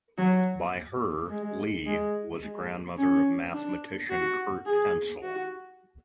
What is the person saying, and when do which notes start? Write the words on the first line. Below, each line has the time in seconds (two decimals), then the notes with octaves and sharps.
By her, Lea was grandmother of mathematician Kurt Hensel.
0.18 F#3
1.30 G#3
1.86 G#3
2.42 G#3
2.98 C#4
3.54 D4
4.10 F#4
4.65 G#4
5.22 F#4